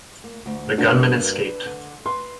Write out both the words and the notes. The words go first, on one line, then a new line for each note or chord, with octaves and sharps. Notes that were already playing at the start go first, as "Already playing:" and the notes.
The gunmen escaped.
A#3
D2
G2 A#3 D4 F#4 B4
D3
B4 C6